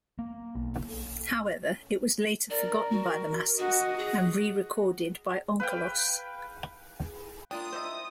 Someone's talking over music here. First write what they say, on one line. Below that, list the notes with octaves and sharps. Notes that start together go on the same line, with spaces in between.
However, it was later forgotten by the masses, and rerecorded by Onkelos.
A#3
B1
A#4 D5
F#4
F#4 D#5 F#5
G#4
B4 F5 G5
A#3 D4 F4 D5 G5 D#6
E4 C5 C#5 D#5 E5 E6